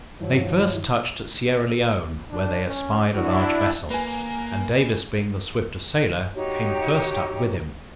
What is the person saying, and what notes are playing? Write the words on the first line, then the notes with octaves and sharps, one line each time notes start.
They first touched at Sierra Leone, where they espied a large vessel, and Davis being the swifter sailer, came first up with him.
G2 D#3 F3 F#3 E4
D4
C#4
D4 E4 F#4
A#3 B4 G#5
D#4 F#4 G4 C#5